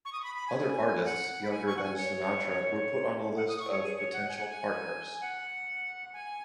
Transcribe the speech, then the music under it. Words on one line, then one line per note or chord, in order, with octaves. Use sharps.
Other artists, younger than Sinatra, were put on the list of potential partners.
C#6
D#6
C#6
B5
B5
G#5
G#5
F#5
B5
G#5
C#6
F#5
G#5
C#5
F#5
D#6
C#6
C#5
G#4
C#5
F#5
G#5
F#5
G#5
F#5
G#5